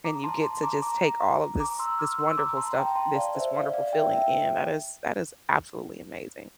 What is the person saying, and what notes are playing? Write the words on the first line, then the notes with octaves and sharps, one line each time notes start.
and you get to just take all of this this wonderful stuff, this this wonderful feeling in. That is that is absolutely amazing,
A#5 D6
A5 C6
A5 C6
A#5 D6
A#5 D6
A#5 D6
C6 E6
D6 F6
C6 E6
A#5 D6
A5 C6
G5 A#5
A5 C6
D5 F5
C5 E5
D5 F5
D5 F5
E5 G5
E5 G5